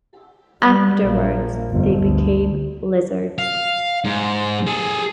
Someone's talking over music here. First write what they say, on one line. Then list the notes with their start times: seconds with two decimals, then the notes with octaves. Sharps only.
Afterwards, they became lizards.
0.62 G3
1.04 A#1 A#3
1.71 G1 F2
2.03 D2
3.38 F5
4.04 G#2
4.67 G#4 A4